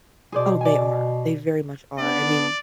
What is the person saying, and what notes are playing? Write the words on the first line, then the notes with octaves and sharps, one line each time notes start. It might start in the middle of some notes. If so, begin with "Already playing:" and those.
Oh, they are. They very much are. I mean,
B2 G#4 C5 D5
D5 G#5
B3 D4 D5